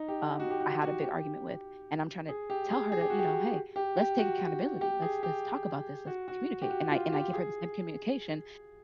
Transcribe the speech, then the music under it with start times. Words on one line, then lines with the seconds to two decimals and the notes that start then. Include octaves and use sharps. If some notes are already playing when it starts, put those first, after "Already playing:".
um, I had a big argument with and I'm tryna tell her to, you know, "Hey, let's take accountability. Let's let's talk about this. Let's communicate." And I and I give her the same communication.
Already playing: D#4
0.08 G4
0.40 F#4
0.51 G4
0.61 F#4
0.82 F#4
1.03 G4
2.29 G#4
2.50 G4
2.71 G#4
2.92 G#4
3.01 G4
3.10 F#4
3.19 G4
3.76 G4
3.97 G4
4.18 F#4
4.81 G4
5.02 G#4
5.23 G4
6.07 F#4
6.28 F#4
6.62 G4
6.70 F#4
6.91 F4
7.12 G4
7.33 G#4